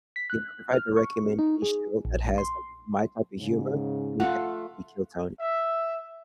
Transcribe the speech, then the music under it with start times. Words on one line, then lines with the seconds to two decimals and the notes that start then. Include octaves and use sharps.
you know, if I had to recommend any show that has, like, my type of humor, it would definitely be Kill Tony.
0.16 B6
0.30 F#6
0.73 F6
0.97 C#6
1.39 D#4
1.62 G#4
2.05 A#1
2.38 C6
3.38 G#2 C#3
4.20 A3 F4 A4 F5 F#5
5.40 E5